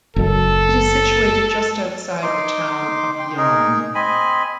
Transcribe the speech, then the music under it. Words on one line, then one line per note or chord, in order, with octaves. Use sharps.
It is situated just outside the town of Yarm.
F#1 F#2 A4
D#4 C6 D6
G5 C6
D#4 G#4 A#4
C4 D#5 G#5 B5